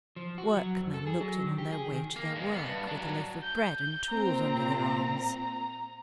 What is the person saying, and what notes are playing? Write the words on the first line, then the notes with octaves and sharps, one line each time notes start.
Workmen looked in on their way to their work, with a loaf of bread and tools under their arms.
F3
F#4
F#3
F2
A4
G#4
F#3
D#3
G4
G#4
D#3
A#3
G2 G#3
B3
G2
F#3 D4
G6
A#2 C4 A#5